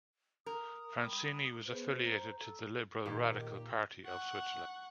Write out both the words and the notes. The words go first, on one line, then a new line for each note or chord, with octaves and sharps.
Franscini was affiliated to the Liberal Radical Party of Switzerland.
A#4 D#6
G3 B5
B3 G#4 B4 C5
A#5
A4
A#2 D#3 G4
F#5 C#6